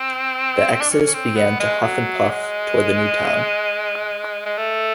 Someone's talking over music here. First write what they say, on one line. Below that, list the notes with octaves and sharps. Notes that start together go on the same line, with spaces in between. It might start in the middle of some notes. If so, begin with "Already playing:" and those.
The exodus began to huff and puff toward the new town.
Already playing: C4
D4
C#4
C#4
C4
B3
G#3
F#3
G#3
G#3
A3